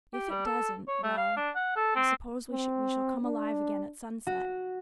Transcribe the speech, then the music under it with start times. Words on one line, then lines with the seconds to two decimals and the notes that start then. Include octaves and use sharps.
If it doesn't - well, I suppose we shall come alive again at sunset.
0.13 G4
0.29 G3
0.45 A4
0.88 C#5
1.03 A3
1.17 F5
1.37 D4
1.55 F#5
1.76 A4
1.95 C4
2.51 C4
3.23 D4
4.27 F#4